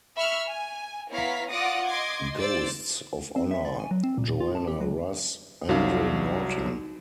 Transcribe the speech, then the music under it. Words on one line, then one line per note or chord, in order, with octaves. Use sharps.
Ghosts of Honour: Joanna Russ, Andre Norton.
E5 B5 C#6 E6 F6
G#5
B3 E4 C#5 F5 A#5 B6
F4 D5 F#5 D6 D#6 A#6
D#5 C6 D6 G#6
C5 D5 E6 A6
C4
E5
D5
G#5
F#3
C4
A#2
F4
A5
G4
F#3
C2 F#3 D#4 F#4 F5